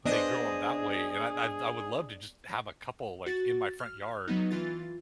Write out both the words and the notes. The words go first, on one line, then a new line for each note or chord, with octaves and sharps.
They grow 'em that way, and I'd I've I would love to just have a couple, like, in my front yard,
B3 D4 G#4 C5 D#5
F#4 A6
F6
F#3 B3 D#4
E3 F4 A6